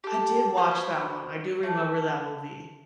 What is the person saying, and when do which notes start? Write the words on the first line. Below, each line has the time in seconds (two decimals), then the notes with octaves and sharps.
I did watch that one; I do remember that movie.
0.04 G4 A4
0.57 F#4 B4 C5 G#5
1.63 A3